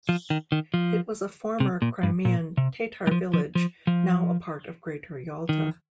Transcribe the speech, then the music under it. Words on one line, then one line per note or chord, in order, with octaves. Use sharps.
It was a former Crimean Tatar village, now a part of Greater Yalta.
F3
D#3
D#3
F3
C3
A#2
G2
A#2
C3
G3
F3
F3
F3
F3
D#3